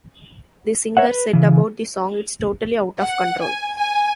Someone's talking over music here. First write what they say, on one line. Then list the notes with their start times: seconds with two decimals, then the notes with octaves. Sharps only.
The singer said about the song: It's totally out of control.
0.97 A#4 C#5 E5 F#5
1.09 B4
1.33 C#3 E3
3.00 F#5
3.42 G#5
3.77 G#5